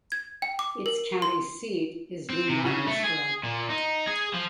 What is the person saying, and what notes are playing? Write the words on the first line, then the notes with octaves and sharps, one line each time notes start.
Its county seat is New Martinsville.
G#6
G5
D6
A#4
C6
C4
C3
C#3
A3
G#4
A#2
D#4
G#4
F3